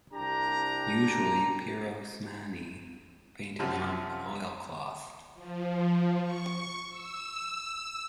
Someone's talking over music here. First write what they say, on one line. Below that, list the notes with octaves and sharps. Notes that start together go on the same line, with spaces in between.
Usually, Pirosmani painted on oilcloth.
C2 D4 G4 A#5
F#2 C3 F3 F#3
F3
C#6
E6